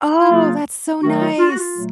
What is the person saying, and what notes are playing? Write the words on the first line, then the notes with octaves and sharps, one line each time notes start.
Oh, that's so nice.
E4
C#3 F#3 A#3 F4
D#3 F#3 A3 F#4
F4
F4
F#4
F4
A#2 F#3 A3